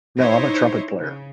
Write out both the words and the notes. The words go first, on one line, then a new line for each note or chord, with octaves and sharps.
No, I'm a trumpet player.
D#4 E4 C5 C#5
C#3